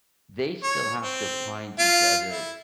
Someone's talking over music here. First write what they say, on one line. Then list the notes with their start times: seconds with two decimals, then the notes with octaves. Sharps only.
they still have to find each other
0.63 C#5
1.03 C4
1.79 F4
2.30 E4